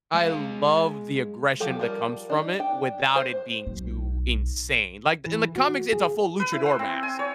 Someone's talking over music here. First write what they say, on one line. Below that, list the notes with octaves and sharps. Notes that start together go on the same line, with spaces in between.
I love the aggression that comes from it without it being too insane. Like, the in the comics, it's a full luchador mask.
G#3 F5
F3 F#3 G4 A4
F3 G3 A#4
D4 D#4
D4 G5
C5
B1
E3
F#4
G#4
B4
E4
C5
C4
G#5
C#5